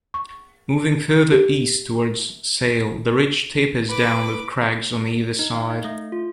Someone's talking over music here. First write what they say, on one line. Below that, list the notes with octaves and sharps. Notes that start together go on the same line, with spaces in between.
Moving further east towards Sail, the ridge tapers down with crags on either side.
C#6
G4
B4 D6
D#4
F5
D#4
A3
F4